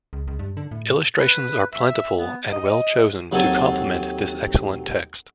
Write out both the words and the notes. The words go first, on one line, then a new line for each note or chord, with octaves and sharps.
Illustrations are plentiful and are well chosen to complement this excellent text.
C#2
C#2
G2
D3
A2
B4
E5
B3
D#5
D#2 F#3 C4 A4 G#5 A5